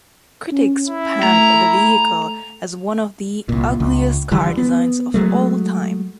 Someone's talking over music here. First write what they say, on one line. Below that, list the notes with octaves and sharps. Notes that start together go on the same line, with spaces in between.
Critics panned the vehicle as one of the ugliest car designs of all time.
C#4
E4
A3 A#5
C2 A#2
C#2
D3 E3 G3
B3
F#3 G#3 A3